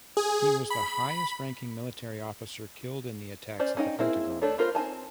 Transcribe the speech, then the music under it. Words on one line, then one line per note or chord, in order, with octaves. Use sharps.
He was the highest-ranking military officer killed in the attacks at the Pentagon.
G#4
B5
C#4 C5 D5
C#4 D#4 G5
A#3 C4 E4 G#4 C5
A3 D4 A4 C#5
B3 F4 A#4 C5
C4 D#4 G#5 A5